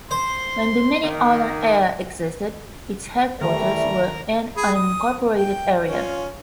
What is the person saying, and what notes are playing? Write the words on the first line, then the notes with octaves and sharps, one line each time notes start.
When Bimini Island Air existed, its headquarters were in an unincorporated area.
C5 C6
D#3 A#3
D#3 E3 G3 A3 A#4
G#4 B5
D#6
G5
C#4 F4